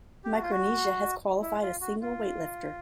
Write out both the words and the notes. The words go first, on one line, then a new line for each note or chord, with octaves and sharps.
Micronesia has qualified a single weightlifter.
G4
F#4
F4
F#4
E4
F4
F#4
F4